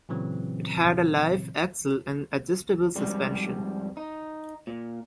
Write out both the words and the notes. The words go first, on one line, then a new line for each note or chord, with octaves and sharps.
It had a live axle and adjustable suspension.
A#2 C#3 E3 F#3 C4
F2 G#2 G3
D#4
A#2